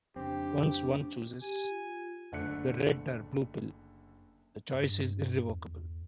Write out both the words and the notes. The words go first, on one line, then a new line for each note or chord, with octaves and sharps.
Once one chooses the red or blue pill, the choice is irrevocable.
F2 C#3 C4 D4 G4
G4 G#5
F4
F#1 D3 A3 D4 F#6 C#7
G2
E2